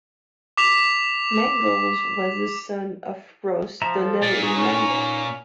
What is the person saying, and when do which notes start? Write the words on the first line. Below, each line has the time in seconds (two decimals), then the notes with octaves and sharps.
Mangles was the son of Ross Donnelly Mangles.
0.57 D6 B6 F7
3.82 F3 E5 A#5
3.98 A4
4.23 A#2 D5
4.42 D#4 G#4 B4 C#6
4.55 C#4